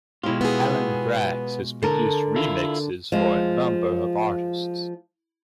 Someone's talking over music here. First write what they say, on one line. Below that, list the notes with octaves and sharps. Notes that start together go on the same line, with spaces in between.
Alan Braxe has produced remixes for a number of artists.
B2 G#3 E4 F4 G4
B3 G#4
D3 A4 A#4
E4 F4
F3 G#3